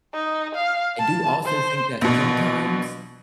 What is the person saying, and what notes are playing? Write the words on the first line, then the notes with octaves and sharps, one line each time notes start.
I do also think that sometimes
D#4
F5
A5
C5
A#1 B2